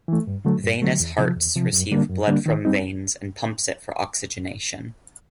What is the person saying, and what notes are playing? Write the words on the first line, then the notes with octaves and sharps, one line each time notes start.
Venous hearts receive blood from veins and pumps it for oxygenation.
E3 A3
G2
D3 F#3 A3
G2
D3 F#3 A3
E2
C3 F3
E2
C3 F3
F#2
D3 G3 A#3 D4
F#2
D3 G3 A#3 D4
D#3
G3 C4 D#4